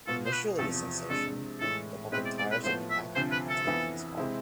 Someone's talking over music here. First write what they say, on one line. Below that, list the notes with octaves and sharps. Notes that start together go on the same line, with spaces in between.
Initially a sensation, the public tires of the act and takings fall.
B2 B3 F4 A4
C5
B4
E2 C3 F3 A4
C3 G#3 D4 A4
A2 E3 G#3 A4
B2 G#3 C4 E4 B4
D5
D5
B4
A2 F3 B3 C5
E5
D2 C3 F3 C5
B4
A4
F2 E3 B3 E4
C3 G#3 C4 E4